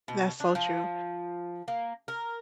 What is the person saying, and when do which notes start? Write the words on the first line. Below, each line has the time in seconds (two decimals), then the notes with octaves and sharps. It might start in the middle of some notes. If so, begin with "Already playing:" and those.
That's so true.
0.08 B2
0.40 D4
0.55 F3
1.68 A#3
2.08 A#4